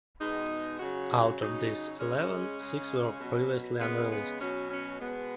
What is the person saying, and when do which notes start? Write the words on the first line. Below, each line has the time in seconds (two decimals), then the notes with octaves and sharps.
Out of these eleven, six were previously unreleased.
0.20 B2 G#3 D#4
0.80 C#3 F#3 F#4
1.40 C#3 F#3 D#4
2.00 C#3 G#3 C#4
2.60 C#3 G#3
3.20 B2 F#3
3.80 C#3 G#3 B3
4.11 B3
4.40 B2 F#3 C#4
4.70 C#4
5.00 B2 G#3 B3